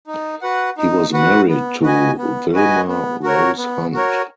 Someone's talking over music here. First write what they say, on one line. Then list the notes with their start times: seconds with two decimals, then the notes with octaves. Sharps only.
He was married to Vilma Rose Hunt.
0.07 D#4
0.42 F#4 B4 F#5
0.78 D#4
1.13 F#4 B4 F#5
1.48 B3
1.83 F#4 B4 D#5 G#5
2.18 B3
2.53 F#4 B4 D#5 G#5
2.88 B3
3.23 F#4 A#4 C#5
3.58 B3
3.93 F#4 A#4 C#5